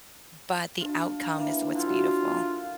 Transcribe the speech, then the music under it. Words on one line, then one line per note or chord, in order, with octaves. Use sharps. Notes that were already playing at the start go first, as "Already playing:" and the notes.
but the outcome is what's beautiful.
D4 F4 A5
E3 A#3
D3 F#3 F4